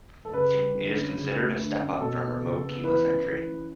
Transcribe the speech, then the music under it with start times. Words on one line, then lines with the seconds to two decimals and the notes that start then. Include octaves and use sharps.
It is considered a step up from remote keyless entry.
0.25 A4
0.33 C#3 B4
0.54 G3
0.75 D3
0.96 C#4
1.16 C#3
1.38 A3
1.59 D3
1.79 C#4
2.00 B2 A4
2.22 B3
2.42 C#3
2.64 B3
2.84 E3 B4
3.05 C#4
3.26 E3
3.47 C#4